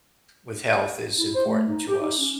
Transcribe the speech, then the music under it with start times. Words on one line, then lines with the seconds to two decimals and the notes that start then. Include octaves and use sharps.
with health is important to us.
1.18 E4
1.35 C5
1.46 A3
1.68 D#4
1.88 G4
2.01 D#4
2.19 C#4